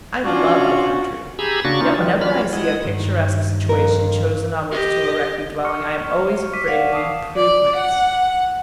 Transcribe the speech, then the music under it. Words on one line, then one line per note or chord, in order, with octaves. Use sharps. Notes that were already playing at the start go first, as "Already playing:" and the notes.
I love the country, yet whenever I see a picturesque situation chosen on which to erect a dwelling I am always afraid of the improvements.
C#4 D4 F4 F#4
G4 G#4 G#5 A#5 B5 E6
C#3 A#3 D4 F#4 C#6 A6
C#4 D#4 F4
D#3 E3 G3
F#3 G3 F4 B5 F6
G#3 E4 F#5 D#6
G2 D#3
F2 A#4
G4 D#5
C#6 F6 C#7
D6 B6 D#7
D5 F5 F#5
A5 D6 D#6 C7
D5
F#5